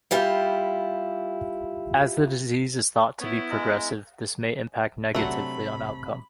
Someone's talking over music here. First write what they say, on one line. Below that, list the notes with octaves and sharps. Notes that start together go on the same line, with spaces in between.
As the disease is thought to be progressive, this may impact negatively on outcome.
G3 E4 F4 G4
B3 E4 C#5
G#3 A#5
C3 F#3 A3 C4 D4 F#5 B5